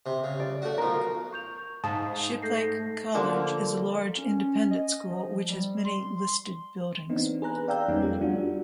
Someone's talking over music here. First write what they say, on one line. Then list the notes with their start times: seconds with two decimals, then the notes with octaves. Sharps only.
Shiplake College is a large independent school which has many listed buildings.
0.06 C3
0.24 C#3
0.40 D5
0.62 A3 F#4
0.78 B1 F3 A#4
1.32 C#6 G6 F7
1.84 G#2 F5 A5 D#6
2.42 A3 G6 A#6 C7
3.14 D3 F3 A#3
4.18 C#4
4.71 D#5
5.11 F3
5.49 G3
5.85 C6
7.09 E3 B3 C4 D4 D#4
7.42 G#4 B4 A#5 F#6
7.68 D5 F5 G5 A#5 E6 G6
7.88 F2 G3 A#3 B3 C#4 D#4
8.02 A3 F4 G4
8.21 G3 D4 F4 F#4